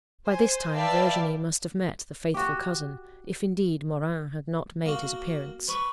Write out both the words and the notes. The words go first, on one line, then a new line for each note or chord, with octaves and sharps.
By this time Virginie must have met the 'faithful cousin:' if, indeed, Morin had not made his appearance.
C5 G#5
B4 D5 E5 F5 G5 A5
F#4 G4
A#3 F#4
B4 C#6